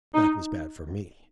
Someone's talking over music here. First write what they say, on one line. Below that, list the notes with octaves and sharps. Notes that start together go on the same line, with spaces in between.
That was bad for me.
D#4